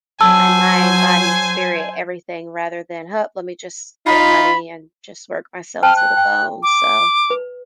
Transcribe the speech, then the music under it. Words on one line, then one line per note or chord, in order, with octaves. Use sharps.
my mind, body, spirit, everything rather than, "Huh, let me just get money and just work myself to the bone." So
F#3 C5 G#5 A5 E6
D#4 F4 B5
C5 G5 A5 F6
F#6
G5
D6
B4